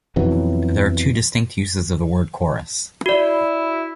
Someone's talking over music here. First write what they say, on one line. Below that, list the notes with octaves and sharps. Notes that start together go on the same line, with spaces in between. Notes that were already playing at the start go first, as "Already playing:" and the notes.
There are two distinct uses of the word chorus.
F2 B2 E3 F#3
E4 F#4 D5